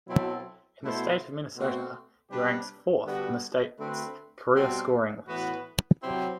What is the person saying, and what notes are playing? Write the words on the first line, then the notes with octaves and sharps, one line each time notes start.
In the state of Minnesota, he ranks fourth on the state's career scoring list.
B2 F#3 C4 E4 A4
B2 A3 E4 A4 C5
B2 A3 C4 F#4
C3 G3 D4 G4 B4
D3 G3 B3 D4 F#4
D3 A3 C4 F#4 B4
B2 G3 C4 F#4 A4
A2 E3 B3 F#4 B4
C3 F#3 C4 E4 G4